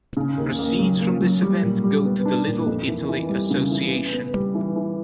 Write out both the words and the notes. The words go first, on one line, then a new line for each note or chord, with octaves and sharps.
Proceeds from this event go to the Little Italy Association.
C#3
D#2
A#3
F#3
A#3
F#3
G3
A#2
G3
B3
D4
A#2
F2
E3
E3
G3
C#3
E3
B3
B3
G3
E3
E3